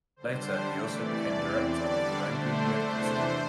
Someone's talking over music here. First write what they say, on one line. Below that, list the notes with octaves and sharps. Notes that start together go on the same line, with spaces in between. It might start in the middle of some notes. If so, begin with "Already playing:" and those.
Later, he also became director of the Rangoon Medical School.
D3 G3 D4 C5
C3 E3 A3 D5
E2 E3 C4
D3 G3 D4 D5
D3 A3 D4 C5
E2 C3 E3 A3 D4 C5